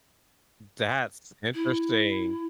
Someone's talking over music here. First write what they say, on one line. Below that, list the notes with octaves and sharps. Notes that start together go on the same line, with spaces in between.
That's interesting.
E4